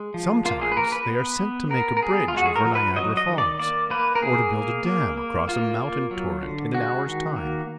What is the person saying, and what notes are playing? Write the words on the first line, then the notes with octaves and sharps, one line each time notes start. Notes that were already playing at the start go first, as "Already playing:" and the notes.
Sometimes they are sent to make a bridge over Niagara Falls, or to build a dam across a mountain torrent in an hour's time.
Already playing: G#3
F3
A#3 F4
G#4
B4
A#3 A#4
B4
B3
B3
B3 A#4
A#4
B3 G#4
F4
G#3 F#4
G#4
A#4
F3
B4
F#3 D#5
D#5
D#3
D5
A#3 D5
A#3 B4
A#4
A#3 G#4
A#3
A#3
A#3
A#3 F4
A#3
F#3
D3
G#3 F#4
D#3
A#3